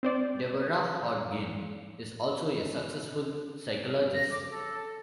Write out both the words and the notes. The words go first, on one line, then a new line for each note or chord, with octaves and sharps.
Deborah Hodgkin is also a successful psychologist.
C4 C5 D5
A#6
D6
A4